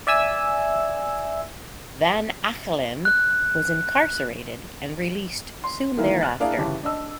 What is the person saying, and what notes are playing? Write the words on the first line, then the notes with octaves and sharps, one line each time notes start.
Van Achelen was incarcerated and released soon thereafter.
D5 E5 G#5 E6
F#6
C6
D#3 E3 G#3 A#3 E4
F6 F#6 A6
A#3 D4 E4 G#4 D5 F5
G1 C#3 E3 G4 B4 A5
D4 D#5 E6